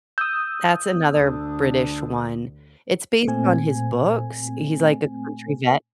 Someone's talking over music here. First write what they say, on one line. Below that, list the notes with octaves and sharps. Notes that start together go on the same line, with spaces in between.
That's another British one, it's based on his books, he's, like, a country vet.
D#6 E6 G6
D2 D3 D4
A#2 A3 C4 G#5